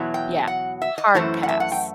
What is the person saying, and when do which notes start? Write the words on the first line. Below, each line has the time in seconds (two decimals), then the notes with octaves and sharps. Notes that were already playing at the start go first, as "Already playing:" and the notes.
Yeah, hard pass.
Already playing: E2 B2 F#3 B3 E4
0.14 G5
0.48 F#5
0.82 E5
0.98 D#5
1.14 F#2 E3 A3 E4 C5
1.43 F#5
1.49 E5
1.60 F#5
1.72 G5